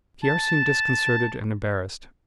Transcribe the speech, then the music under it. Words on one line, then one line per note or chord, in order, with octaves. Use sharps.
Pierre seemed disconcerted and embarrassed.
A5